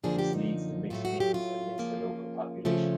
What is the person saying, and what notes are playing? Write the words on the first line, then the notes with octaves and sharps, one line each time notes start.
This leads to mixed feelings amidst the local population.
F#2 D3 F3 A#3 D4 G#4
G4
D#4
A2 F#3 A3 F4
F#4
G4
F4
C#3 F3 A#3
C#3 F3 A3 C#4